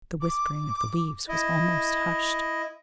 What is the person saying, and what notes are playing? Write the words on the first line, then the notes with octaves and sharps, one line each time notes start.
The whispering of the leaves was almost hushed.
D6
E4 D#5